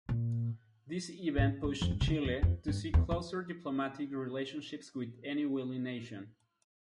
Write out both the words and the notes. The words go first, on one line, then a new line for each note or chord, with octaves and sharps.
This event pushed Chile to seek closer diplomatic relationships with any willing nation.
A#2
A2
G2
F2
G2
C3
D3
E2
F2
G2
E2
F2